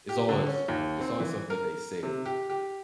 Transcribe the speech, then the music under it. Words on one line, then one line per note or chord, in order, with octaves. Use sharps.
it's always it's always something that they say,
G4
D3
C#4
D#2
C4
E3
A#4
C3
G4
G4